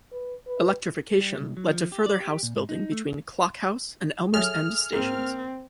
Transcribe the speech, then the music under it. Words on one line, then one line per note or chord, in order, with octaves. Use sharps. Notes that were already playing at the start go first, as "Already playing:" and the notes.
Electrification led to further house building between Clock House and Elmers End stations.
B4
B4
G3
C2
F#3
F3
G4
D5
G4
A#2
G#2
D#4
A3
F#3 G#4 A4 E5 A5 F6
G#2 A#3 C4